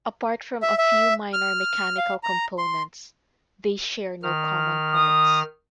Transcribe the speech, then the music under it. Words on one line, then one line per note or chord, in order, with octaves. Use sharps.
Apart from a few minor mechanical components, they share no common parts.
E5
E5
F6
F5
A#5
C6
D#3 F6
D#6